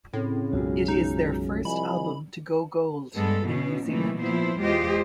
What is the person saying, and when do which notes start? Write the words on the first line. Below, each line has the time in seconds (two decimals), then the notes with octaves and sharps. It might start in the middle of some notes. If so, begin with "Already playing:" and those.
It is their first album to go gold in New Zealand.
0.13 A2 C#3 C4 A4
0.53 B1 F#2 G#3 F4 F#4
0.88 D#4
1.65 C2 F3 D#5 G#5 B5
3.15 G2 G#3 B3 A4
3.47 B2 E3 B3 C#4
3.86 A#2 D#3 E3 F#3 A3
4.22 A#2 F3 B3 E4 C5
4.60 E2 G#3 F4 G4 C5 D#5